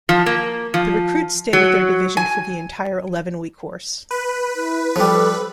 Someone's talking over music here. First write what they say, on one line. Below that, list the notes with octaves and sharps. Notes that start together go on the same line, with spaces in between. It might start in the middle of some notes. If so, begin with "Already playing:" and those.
The recruits stay with their division for the entire eleven-week course.
F3
A#3
F3
F#3
G#5
B4
E4
F3 G3 A4